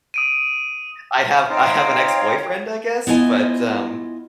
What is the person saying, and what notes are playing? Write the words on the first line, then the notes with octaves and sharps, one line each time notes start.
I have I have an ex-boyfriend, I guess, but, um,
D#6 D7 D#7
C4 D#4 F4 C#5 F5 G5
B3 E4 F4 D#5 G#5